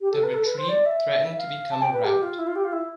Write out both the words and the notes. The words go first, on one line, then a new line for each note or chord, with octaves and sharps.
The retreat threatened to become a rout.
G4
A4
B4
A4
B4
C5
D5
E5
F5
A5
G5
B4
G4
F4
E4
F4
G4
F4
E4